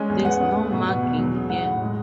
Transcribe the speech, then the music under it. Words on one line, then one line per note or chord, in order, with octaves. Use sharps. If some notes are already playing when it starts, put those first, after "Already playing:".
There's no mugging here.
Already playing: G#3 C#4 G#5
E2
B3 F#5
C#3
A3
B2
B2
E2
F#3
C#3
F#3 F#5
A2
G#3